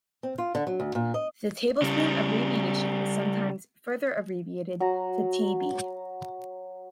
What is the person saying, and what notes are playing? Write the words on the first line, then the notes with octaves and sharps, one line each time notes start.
The tablespoon abbreviation is sometimes further abbreviated to Tb.
C4
F4
D3
F#3
D2
A#2
D#5
C#3 G3
F#3 A#5